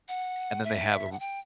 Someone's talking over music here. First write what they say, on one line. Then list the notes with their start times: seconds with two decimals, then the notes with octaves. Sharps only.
and then they have a r
0.08 F#5
0.64 E5
1.12 F#5
1.20 G5